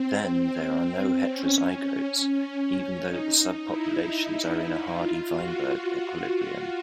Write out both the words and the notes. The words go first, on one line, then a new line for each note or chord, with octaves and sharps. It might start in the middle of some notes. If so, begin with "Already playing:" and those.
Then, there are no heterozygotes, even though the subpopulations are in a Hardy-Weinberg equilibrium.
Already playing: C4
C#4
D#4
D#4
E4
F4
F#4
F4
F#4